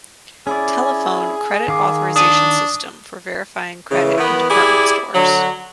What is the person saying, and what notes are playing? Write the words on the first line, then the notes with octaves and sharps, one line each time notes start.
Telephone Credit Authorization system for verifying credit in department stores.
C#4 E4 G#4 D5
D#3 F5 D6
D4 D#6 D#7
C#3 E3
D#3 E3 B3
E4 G4 G#4 D5
D3 F#3